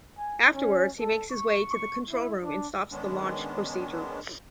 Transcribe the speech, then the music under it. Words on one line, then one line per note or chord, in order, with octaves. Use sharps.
Afterwards he makes his way to the control room and stops the launch procedure.
G#5
C#4
A4
C#6
C#6
E4
D4
D#3 G#3 B3 C#4 D4